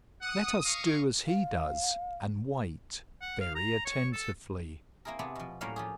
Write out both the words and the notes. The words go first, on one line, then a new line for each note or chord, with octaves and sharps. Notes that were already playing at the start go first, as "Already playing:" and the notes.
Let us do as he does and wait, very attentively.
F#5 D#6
D#5 F5 C#6
F5
F#5
F5
A#5
C#5
A4
A#3 C4 E4 G#4 A#4
C3 B3 C4 G#4 D5 A5
B2 F3
A2 F#3 G3 A#3 C#4 F5
F3 G4 G#4